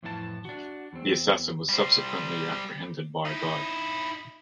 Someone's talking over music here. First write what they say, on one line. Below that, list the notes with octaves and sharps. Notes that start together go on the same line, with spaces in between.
The assassin was subsequently apprehended by a Guide.
F2 A2 E3 D4 A5
D4 F#4
E2 C4
G3 C5
D#4 E4